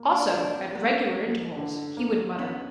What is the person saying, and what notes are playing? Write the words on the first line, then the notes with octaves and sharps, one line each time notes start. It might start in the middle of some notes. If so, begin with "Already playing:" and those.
Also, at regular intervals, he would mutter.
Already playing: A#3
D4
F#3 D4
C4
A#3 B3
A#3
D3
A#3
B3 C#4